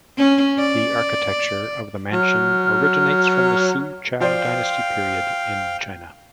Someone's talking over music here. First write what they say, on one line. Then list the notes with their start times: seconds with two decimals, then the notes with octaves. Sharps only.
The architecture of the mansion originates from the Su Chow Dynasty Period in China.
0.18 C#4
0.59 D5
2.13 F#3 F6
4.20 F3 C5 D5 F5 G5